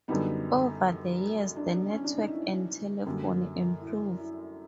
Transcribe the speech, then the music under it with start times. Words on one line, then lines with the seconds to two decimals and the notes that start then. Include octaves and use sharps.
Over the years, the network and telephony improved.
0.08 F#2 D3 G3 B3 D#4
1.57 D4
1.90 C#4
2.04 D4
2.18 D#4
2.31 E4
3.06 F#2 D3 G3 A#3
3.80 E4
4.17 E4